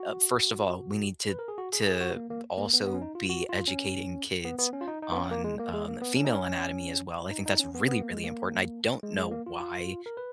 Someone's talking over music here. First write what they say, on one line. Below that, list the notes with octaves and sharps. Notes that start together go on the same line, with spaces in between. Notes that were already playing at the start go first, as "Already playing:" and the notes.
uh, first of all, we need to to also be educating kids on, um, the female anatomy as well. I think that's really, really important, I don't know why
Already playing: F#4
B4
A#4
G#4
F#4
G#4
G#4
F#4
A#3
A#3
A#3
B3
B3
C#4
D#4
F4
F#4
F4
C#4
B3
B3
C#4
F4
D#4
D#4
B3
C#4
A#3
G#3
A#3
G#3
A#3
B3
C#4
D#4
C#4
D#4
D#4
C#4
B3
B3
A#3
G#3
A#3
G#3
G#3
A#3
F4
F4
A#4
B4